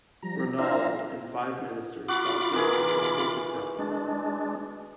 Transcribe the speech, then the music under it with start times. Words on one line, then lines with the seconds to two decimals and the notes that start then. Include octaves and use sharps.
Reynaud and five ministers thought these proposals acceptable.
0.22 F3 G3 A#5
0.59 D4 E4 C5 E5 F5 A#5
2.08 F4 F#4 B5 D6
2.51 D#3 E3 G#4
3.79 G#3 D4